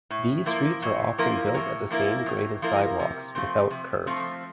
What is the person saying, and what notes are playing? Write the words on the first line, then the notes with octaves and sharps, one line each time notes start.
These streets are often built at the same grade as sidewalks, without curbs.
A2
F3 A#3 E4 A#4
A2
F3 A#3 E4 A#4
A2
F3 A#3 E4 A#4
A2
F3 A#3 E4 A#4
C3
F3 A3 C4
C3
F3 A3 C4